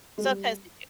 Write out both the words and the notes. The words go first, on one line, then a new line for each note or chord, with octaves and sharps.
Sometimes they do.
G#3
G3